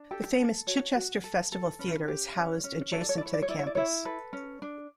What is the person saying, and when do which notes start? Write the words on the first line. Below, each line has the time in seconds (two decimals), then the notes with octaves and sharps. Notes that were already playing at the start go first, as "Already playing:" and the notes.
The famous Chichester Festival Theatre is housed adjacent to the campus.
Already playing: D4
0.11 G4 A4 G5
0.39 A4
0.67 F#4 C#5
0.95 F#4
1.24 A4
1.52 A4
1.79 C#4 B4
2.08 G4
2.36 C#4
2.64 C#4
2.92 A4 C#5
3.01 D5
3.09 C#5
3.18 D5
3.21 E4 C#5
3.33 D5
3.42 C#5
3.49 E4 D5
3.59 C#5
3.67 D5
3.75 E4 C#5
4.05 A4 B4
4.33 C#4
4.62 D4